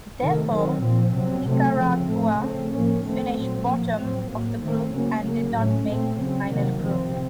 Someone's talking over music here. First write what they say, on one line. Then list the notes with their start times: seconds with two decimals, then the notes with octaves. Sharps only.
Therefore, Nicaragua finished bottom of the group and did not make the final group.
0.19 C3 D#3 A3
0.50 D#3 F#3 C4
0.82 A#2 F3 C4
1.14 C3 F#3 C4
1.45 C3 F#3 A3 C4
1.77 C#3 F3 C4
2.08 A2 F3 A3
2.40 C#3 A3 C4
2.71 A2 F3 A#3 C#4
3.03 D#3 A3 C4
3.35 A#2 F#3 C4
3.66 A#2 F3 A#3
3.98 A2 F#3 C4
4.29 A2 F#3 A#3
4.61 D#3 A3 C4
4.92 C#3 F#3 A#3 C#4
5.24 C#3 F#3 A#3
5.55 A2 A3 C#4
5.87 A#2 A3 C4
6.18 C#3 F#3 C4
6.49 C3 D#3 F#3 A#3
6.82 C3 F3 C4